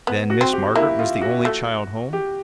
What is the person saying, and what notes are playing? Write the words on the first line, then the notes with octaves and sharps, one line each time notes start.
"Then Miss Margaret was the only child home?"
B3
F#4
C4
G4
A#3 E4
F4
F#4
A3
G4